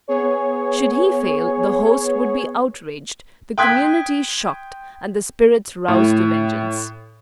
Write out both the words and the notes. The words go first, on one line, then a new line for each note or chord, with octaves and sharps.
Should he fail, the host would be outraged, the community shocked, and the spirits roused to vengeance.
B3 G#4 C#5
G5 C6 D#6 F#6 G#6 B6
A2